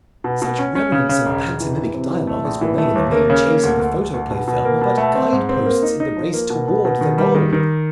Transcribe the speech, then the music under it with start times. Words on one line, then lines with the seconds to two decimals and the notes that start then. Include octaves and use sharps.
Such remnants of pantomimic dialogue as remain in the main chase of the photoplay film are but guide-posts in the race toward the goal.
0.24 B2
0.42 B2
0.58 C#4
0.75 C#4
0.92 C#3
1.09 C#3
1.26 E1
1.43 E1
1.60 E3
1.77 E3
1.94 C3
2.10 E3
2.27 A3
2.44 A#1
2.61 E3
2.78 A3
2.95 D#2
3.12 A#3
3.30 C#3
3.46 A#3
3.63 D2
3.80 D2
3.96 D2
4.14 D2
4.31 B2
4.48 B2
4.65 A#3
4.81 B2
4.98 A3
5.15 C4
5.32 G#2
5.49 C4
5.66 A#3
5.83 D#4
6.00 D#4
6.16 F3
6.34 A#3
6.50 B2
6.68 B2
6.85 B2
7.01 D#3
7.18 G3
7.35 D#3
7.52 D#3